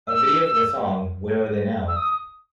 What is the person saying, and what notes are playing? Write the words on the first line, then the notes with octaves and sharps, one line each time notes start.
A video for the song Where Are they Now?
E6
E6
D#6